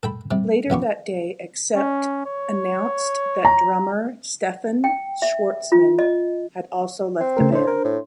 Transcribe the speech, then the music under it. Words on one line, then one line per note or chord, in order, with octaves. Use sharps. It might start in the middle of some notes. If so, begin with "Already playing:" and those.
Later that day, Accept announced that drummer Stefan Schwarzmann had also left the band.
A4 G5 B5
C3 G3
A#1 B3 G4 C#6
C#4
C#5
A#5
G5
E5
F4
D#5
C4
C#3 A3 A#4
A2 D4 C5
A#4
A2